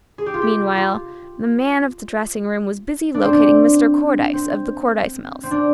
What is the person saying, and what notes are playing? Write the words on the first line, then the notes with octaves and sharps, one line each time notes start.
Meanwhile the man of the dressing room was busy locating Mr. Cordyce of the Cordyce Mills.
G#4
G4
F4
G4
F4
D4
C4
D4
C4
C4
D4